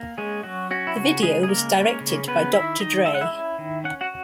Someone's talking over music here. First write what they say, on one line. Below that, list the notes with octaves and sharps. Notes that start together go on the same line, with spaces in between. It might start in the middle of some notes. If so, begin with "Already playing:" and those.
The video was directed by Doctor Dre.
Already playing: A#3
G#3 C#4 G#4
F#3 F#4
C#4 F#4
E4
C#3 F#4
C#3 G#3 G#4
G#4
G#3 A#3 A#4
C#4
C#3
B3 C#4 B4
D#3 E4 E5
D#3 D#4 D#5
G#3 E5
F#5
E4 E5
C#4
D#3
C#4 F#5
F#4 F#5